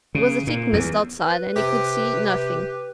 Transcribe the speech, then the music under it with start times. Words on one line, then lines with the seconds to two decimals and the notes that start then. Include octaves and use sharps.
There was a thick mist outside and he could see nothing.
0.15 C#3
0.47 A#2
0.73 E2
1.24 B4
1.56 C3 G4